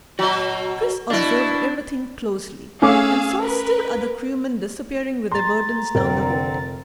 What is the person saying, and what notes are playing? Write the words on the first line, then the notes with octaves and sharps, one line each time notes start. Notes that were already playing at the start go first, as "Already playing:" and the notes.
Chris observed everything closely, and saw still other crewmen disappearing with their burdens down the hold.
F#3 F#4 D#5
B2 D4 E4
A3 C#4 G#4 F5 D6 E6
A#4 B4
A#5 C6 A6
F1 D3 C4 A#4